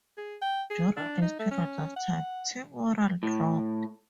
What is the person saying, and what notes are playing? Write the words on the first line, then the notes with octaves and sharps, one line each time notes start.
During this period of time, team morale dropped.
G#4
G5
G#4
D4
D#4
A3
C#4
F#5
A2